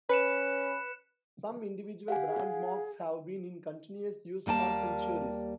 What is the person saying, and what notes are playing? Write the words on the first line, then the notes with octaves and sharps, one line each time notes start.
Some individual brand marks have been in continuous use for centuries.
C#4 B4 F#6 C#7 E7
G4 F5 F#5 G#5
G#4
D#2 G3 A#3 G#5 A5